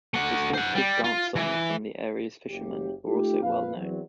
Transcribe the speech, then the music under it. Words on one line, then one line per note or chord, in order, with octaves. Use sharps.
Distinctive dance songs from the area's fishermen are also well-known.
A3 F#5
C5 F#5
G3
F4
E3
F#1 G4
A3 D#4 F4 G4
F2 A#2 F4 B4 F5
E2 F#3 C4